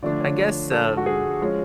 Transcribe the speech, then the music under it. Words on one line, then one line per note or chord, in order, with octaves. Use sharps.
I guess, um
D3 F3 A3 D4 D5
C#5
A4
F#4
G#4
F3 G#3 C#4